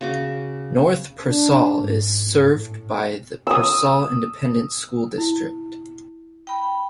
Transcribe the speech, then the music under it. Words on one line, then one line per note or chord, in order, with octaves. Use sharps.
North Pearsall is served by the Pearsall Independent School District.
C#3 F#4 D6
D4
G#2
A2
D#6 E6
E4
G5 B5